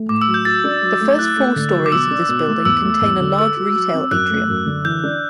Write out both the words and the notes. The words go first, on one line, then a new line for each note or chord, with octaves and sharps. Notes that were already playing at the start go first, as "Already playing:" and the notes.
The first four stories of this building contain a large retail atrium.
Already playing: A3
A2 D6
E6
F#3
G6
F#4 A6
D4
F#3
A3
E4 F#6
A3
D3
F#3
D6
B2 E6
D4
B2
A3
E2 E6
A3
E2
D3
A4 E6
F#4
F#3
C4
F#2 F#6
A3
F#2
D3
E3 G6
D4